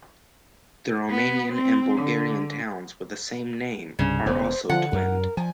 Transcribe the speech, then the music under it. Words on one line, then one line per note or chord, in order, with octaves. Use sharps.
The Romanian and Bulgarian towns with the same name are also twinned.
B3
C4
D3
C2 G2 C#3
E1 B3 C5
D3 F3 F#5
F#2 A#4
F3 G#5